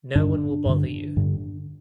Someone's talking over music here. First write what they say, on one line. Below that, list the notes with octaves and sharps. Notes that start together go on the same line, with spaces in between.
No one will bother you.
G2 D3 D4
G2 D3
G2 D3